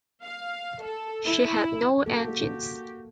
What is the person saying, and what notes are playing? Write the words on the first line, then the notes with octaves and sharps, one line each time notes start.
She had no engines.
F5
A4
E4
A#3 F#4 G4 A4